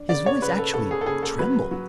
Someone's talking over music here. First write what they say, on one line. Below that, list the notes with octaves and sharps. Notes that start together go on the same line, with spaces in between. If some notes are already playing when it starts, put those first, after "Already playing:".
His voice actually trembled.
Already playing: D4
C#3 D5
C#5
C#3 B4
A4
C#3 A4
G#4
A4
C#3 G#4
A4
F#3 B4
F#3